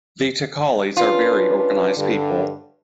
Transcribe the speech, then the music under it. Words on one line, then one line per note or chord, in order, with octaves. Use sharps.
The Thakalis are very organized people.
C#4 D4 F4 B4
G2 D3